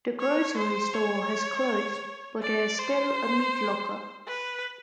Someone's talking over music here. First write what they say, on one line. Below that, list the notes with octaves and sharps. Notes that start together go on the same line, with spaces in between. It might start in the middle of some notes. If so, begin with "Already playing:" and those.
The grocery store has closed, but there is still a meat locker.
C#5
C5
C#5
D5
C5
B4